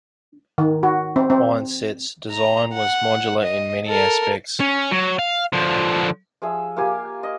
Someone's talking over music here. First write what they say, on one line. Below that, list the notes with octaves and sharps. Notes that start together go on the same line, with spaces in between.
Mindset's design was modular in many aspects.
D#3
F#4
C4
C4
A#5
F#5
D#5
A4 A#4
C#4
F#3
F5
D3 F3
F3 G#4 E5
A#3 F4 G4 G#5
D#5